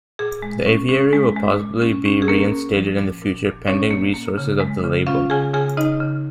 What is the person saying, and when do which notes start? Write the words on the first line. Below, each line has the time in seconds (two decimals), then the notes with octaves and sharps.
The Aviary will possibly be re-instated in the future pending resources of the label.
0.19 A#2 G#4
0.42 G#3
0.66 C#4
0.89 C#4
1.13 G#3
1.36 G#3
1.59 A#2
1.82 C#4
2.05 C#4
2.22 G#4
2.28 A#3 C#4 A#4
2.52 C#4
2.75 F3
2.99 A#2
3.22 A#2
3.45 A#2
3.67 A#2 C#4 C#5
3.91 A#3
4.14 A#3
4.38 C#3
4.60 G#3
4.84 C#3
5.07 C#4 F4 F5
5.30 C#3 G#4 G#5
5.54 C#3 G#4 G#5
5.77 C#3 D#4 D#5
6.00 C#3